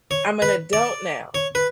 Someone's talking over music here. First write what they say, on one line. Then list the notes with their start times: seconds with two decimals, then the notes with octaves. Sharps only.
I'm an adult now
0.11 C#5
0.42 B4
0.73 D5
1.35 C#5
1.55 B4